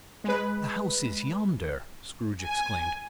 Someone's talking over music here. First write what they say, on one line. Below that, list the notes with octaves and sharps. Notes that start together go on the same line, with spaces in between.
"The house is yonder," Scrooge exclaimed.
G#3 B4
G#5